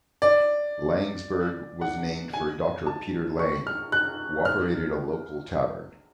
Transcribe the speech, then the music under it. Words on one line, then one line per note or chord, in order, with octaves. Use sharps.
Laingsburg was named for Doctor Peter Laing, who operated a local tavern.
D5
F#5
G#5
A5
C#6
F6
F#6
F6